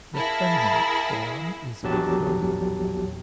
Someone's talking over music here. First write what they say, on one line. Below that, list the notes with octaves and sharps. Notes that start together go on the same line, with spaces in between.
The feminine form is Clodia.
E4 G#4 A#4 F5 A5 B5
A#1 E2 F#3 G4 A5